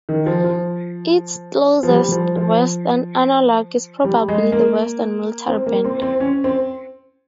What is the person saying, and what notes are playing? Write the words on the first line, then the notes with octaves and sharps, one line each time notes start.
Its closest Western analogue is probably the Western military band.
D#3
F3
F3
F3
G3
F3
F3
G3
G#3
A#3
C4
A#3
C4
C4
C#4
C4